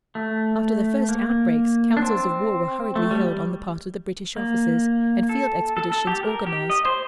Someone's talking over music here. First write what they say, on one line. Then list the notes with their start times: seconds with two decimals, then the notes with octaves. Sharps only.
After the first outbreaks, councils of war were hurriedly held on the part of the British officers, and field expeditions organized.
0.15 A3
1.09 A#3
1.97 D4
2.02 C4
2.95 A3
3.11 G3
3.27 G3
4.36 A#3
5.29 A4
5.77 A4
5.92 A4
6.07 G4
6.23 A#4
6.47 G4
6.70 D#5
6.85 C5